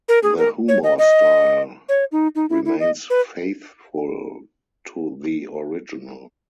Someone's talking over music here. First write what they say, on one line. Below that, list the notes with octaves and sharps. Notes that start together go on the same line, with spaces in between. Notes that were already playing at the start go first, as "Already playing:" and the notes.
The humour style remains faithful to the original.
A#4
G#4
A#4
C#5
D#5
D#5
C#5
D#4
D#4
E4
E4
D#5
B4